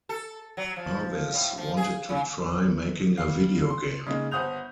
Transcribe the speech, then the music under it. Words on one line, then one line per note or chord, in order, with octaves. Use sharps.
Jarvis wanted to try making a video game.
A4
F#3
F3
A2
F3
G#4
C#3
G3 F5
C6
C#3 G#3 A#3 D#4
G1 C5 F#5 D#6 G6 F7